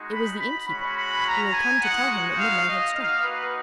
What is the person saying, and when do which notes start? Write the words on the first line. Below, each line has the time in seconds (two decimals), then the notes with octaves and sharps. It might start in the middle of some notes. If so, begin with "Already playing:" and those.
It was the Innkeeper who had come to tell him that midnight had struck.
Already playing: G#3 D#4 F#4
0.11 B5
0.38 B5
0.67 G#3 C#4 F#4 B5
0.96 B5
1.24 A#5
1.52 G#5
1.81 G#3 D#4 F#4 F#5
2.37 F5
2.66 D#5
2.94 A#3 D#4 F#4 F5
3.21 B4